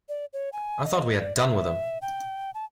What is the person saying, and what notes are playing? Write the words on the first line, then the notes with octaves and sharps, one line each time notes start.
I thought we had done with him.
D5
C#5
G#5
D#5
D5
E5
G5
A5